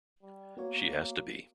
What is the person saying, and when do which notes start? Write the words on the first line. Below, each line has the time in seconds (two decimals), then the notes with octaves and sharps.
She has to be.
0.22 G3
0.57 A#3 B3 F#4 C#5